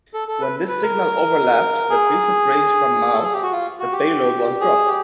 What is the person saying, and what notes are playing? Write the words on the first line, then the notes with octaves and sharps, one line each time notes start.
When this signal overlapped the pre-set range from "mouse", the payload was dropped.
A4
A4
B4
B4
A#4
G#4
A4
G#4
G4
F#4
F4
F#4
G4
G#4
G4